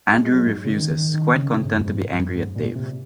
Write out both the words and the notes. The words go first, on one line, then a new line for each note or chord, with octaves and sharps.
Andrew refuses, quite content to be angry at Dave.
G#3
G#3
F#3
G#2
C#3
D#3
D#3
D#3
C#3
C3
G#2
F#2
G#2
F#2
G#2
A#2
C3